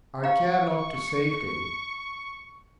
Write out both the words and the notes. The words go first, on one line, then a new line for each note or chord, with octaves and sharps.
I care not to save thee.
F5 A#5 C#6